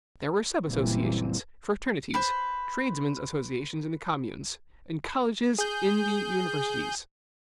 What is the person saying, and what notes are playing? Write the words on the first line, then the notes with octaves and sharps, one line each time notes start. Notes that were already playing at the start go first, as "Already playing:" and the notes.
There were sub-associations, fraternities, tradesmen's associations in the communes, and colleges in the universities.
F#1 A#2 E3 G3 A#3 C4
B4 C5
G#4 G6